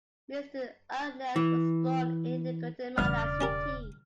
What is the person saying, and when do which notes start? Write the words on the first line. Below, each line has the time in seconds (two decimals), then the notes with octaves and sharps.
Mr. Arenales was born in Guatemala City.
1.36 E3
2.98 E1 A1 G2 C#3 D5 F6
3.41 C#4 G4 A#4